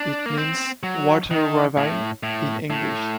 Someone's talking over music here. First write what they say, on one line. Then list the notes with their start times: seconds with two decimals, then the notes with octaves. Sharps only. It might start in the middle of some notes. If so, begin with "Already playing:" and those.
It means "Water Ravine" in English.
Already playing: D4
0.26 A#3
0.38 C4
0.83 F#3
1.31 D#3
1.77 A2
2.23 A2
2.70 A2